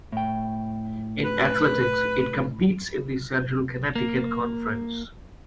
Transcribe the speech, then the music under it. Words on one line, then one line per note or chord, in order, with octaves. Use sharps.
In athletics, it competes in the Central Connecticut Conference.
A2 G5
B4
A#3